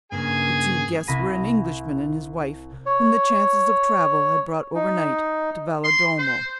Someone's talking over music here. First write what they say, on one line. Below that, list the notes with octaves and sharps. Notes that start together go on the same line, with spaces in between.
The two guests were an Englishman and his wife, whom the chances of travel had brought over night to Valedolmo.
G2 C#3 A#3 G#4 G#5
C2 B5 A#6 D#7
C#5
D#4
C6
C5